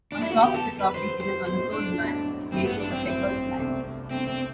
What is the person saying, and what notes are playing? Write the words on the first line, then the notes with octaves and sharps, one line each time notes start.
On the top of the trophy is an unclothed man waving a checkered flag.
D4
E4
F#4
E1 E2 D3 F#3 B3 G4
A4
B4
E1 E2 D3 F#3 B3 C5
C5
B1 A2 F#3 C4 C5
D4
B1 A2 F#3 C4
A1 G2 F#3 A3 C4 E4
B3
D4
C4
A1 G2 F#3 A3 C4 E4
C2 B2 A3 D4
C2 B2 A3 C4 D4
C4